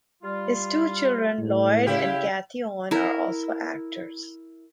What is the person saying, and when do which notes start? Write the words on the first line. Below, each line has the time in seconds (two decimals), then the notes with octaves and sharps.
His two children, Lloyd and Cathy Owen, are also actors.
0.23 G3 F4
1.39 A2
1.86 C#3 E4 G4 F5
2.91 E4 A#4